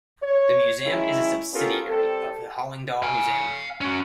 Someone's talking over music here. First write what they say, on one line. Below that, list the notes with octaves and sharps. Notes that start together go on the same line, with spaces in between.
The museum is a subsidiary of the Hallingdal Museum.
C#5
D#3 F#3 G#3 C#4 E4
B3 C#4 F4 G4 A4 A#4
G3 C4 G4 A4
F5 G#5
C#4 F#4